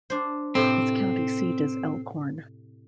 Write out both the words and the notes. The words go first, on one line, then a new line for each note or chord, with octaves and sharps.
Its county seat is Elkhorn.
D4 C5
A2 C3 C4